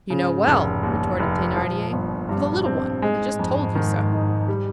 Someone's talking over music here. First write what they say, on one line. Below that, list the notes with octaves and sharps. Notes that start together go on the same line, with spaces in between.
"You know well," retorted Thenardier, "for the little one I just told you so."
G#2 C#3
F1
D#2
F1
A#2 F3
G1
G2
C4
G#2 G#3
F2
D#3
D#4
G3